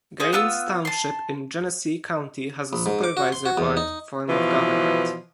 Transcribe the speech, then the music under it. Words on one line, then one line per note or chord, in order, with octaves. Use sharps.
Gaines Township in Genesee County has a Supervisor-Board form of government.
F4 G#4 C5
B3 F4 E6
A5 C6
A#1
G#2
D6
F#4
C6
F#4
E2
D#4
B2 E3 F3